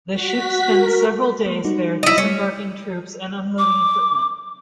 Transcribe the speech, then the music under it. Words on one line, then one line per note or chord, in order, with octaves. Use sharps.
The ship spent several days there disembarking troops and unloading equipment.
F#4 B6
A#4
G#3 A#3
G3 D#4 F#4
E4 D#5
G3 C#4
D6